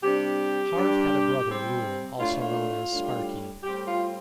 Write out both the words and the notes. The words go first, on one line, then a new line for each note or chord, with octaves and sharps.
Harve had a brother, Ruel, also known as "Sparkie".
C3 G3 D4 G4
G2 G3 D4
C3 G3 C4
A2 A3 D4 F4
F4
A2 G3 D4
A2 G3 C4 G4
F4